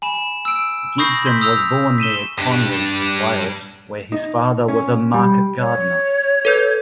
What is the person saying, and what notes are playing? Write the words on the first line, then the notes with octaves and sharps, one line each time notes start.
Gibson was born near Conwy, Wales, where his father was a market gardener.
G#5 B5 E7
E6 D7
B5 C#6 D#6 G6 A#6 C7
C6 G6 B6
D#6 E6 F7
B6 D#7 E7 G7
G2 D4
D#4
C#4
G3
C#5
A4 B4 G6